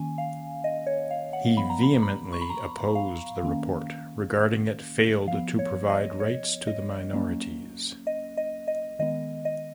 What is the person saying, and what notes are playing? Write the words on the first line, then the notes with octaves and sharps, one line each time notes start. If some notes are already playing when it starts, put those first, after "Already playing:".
He vehemently opposed the report regarding it failed to provide rights to the minorities.
Already playing: D#3 A#3 C#4 G#5
F5
D#5
C#5
F5
F#5
F3 B3 B5
A#5
B5
B5
C#6
B5
A#5
F5
D#3 A#3 C#4
F3 B3 F5
C#5
D#5
C#5
D#5
F#3 A#3 C#4
D#5
D#5
D#5
D#3 G#3 B3 D#5
D#5